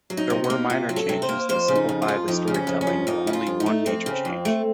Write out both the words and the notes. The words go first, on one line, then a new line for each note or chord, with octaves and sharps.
There were minor changes to simplify the storytelling, but only one major change.
F#3
D#4
C3
D#4
A#3
C3 F4
F#3
A4
C3
C5
A#3
F2 C5
C#3
D#4
F2
F4
F3
F2 D#4
C#3
C#4
F2
C#4
F3
F2 D#4
C#3
F4
F2
D#4
A3
F2 C4
C#3
F2
A3